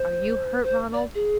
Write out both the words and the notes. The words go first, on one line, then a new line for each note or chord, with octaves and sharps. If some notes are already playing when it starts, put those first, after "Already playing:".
Are you hurt, Ronald?
Already playing: C5
C5
D5
G#4